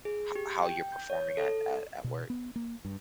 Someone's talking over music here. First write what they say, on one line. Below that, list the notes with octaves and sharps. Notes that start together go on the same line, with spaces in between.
h how you're performing at at at work?
G#4
G4
G5
G6
C#5
A4
B2
B3
A#3
G2